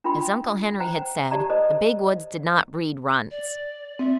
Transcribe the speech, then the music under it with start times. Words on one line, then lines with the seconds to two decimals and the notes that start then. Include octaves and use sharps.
As Uncle Henry had said, the Big Woods did not breed runts.
0.04 D4 F4 A#4 G5 B5 C6
0.80 C5 F#5 G5 A#5
1.31 G4 D5 A5 A#5
1.50 A4 A#4 C5 D5 D#5
3.31 D5
3.99 C4 E5